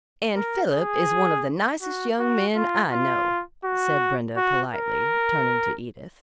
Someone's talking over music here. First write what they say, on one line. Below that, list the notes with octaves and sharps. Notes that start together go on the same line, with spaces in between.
"And Philip is one of the nicest young men I know," said Brenda, politely, turning to Edith.
A#4
G#4
F#4
F#4
F4
F4
F#4
F#4
A#4